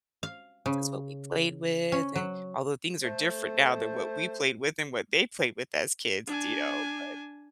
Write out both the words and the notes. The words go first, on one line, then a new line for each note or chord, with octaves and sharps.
this is what we played with," and although things are different now than what we played with and what they played with as kids, do you know, but,
F5
C#3
C#4
F#3
A3 C5
D4 G#5